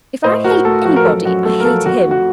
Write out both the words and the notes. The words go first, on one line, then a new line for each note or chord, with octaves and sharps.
If I hate anybody, I hate him.
A2 C5 D#5
A2 F#4 A#4
A3 A4
F3 F#4
A#4
F#2 A4
F#2 F#4
A3 A4
A#4
F3 A4
F2 F#4
A3
F#4